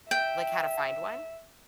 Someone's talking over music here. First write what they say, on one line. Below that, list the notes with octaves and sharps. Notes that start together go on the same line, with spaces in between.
Like, how to find one?
E5 G5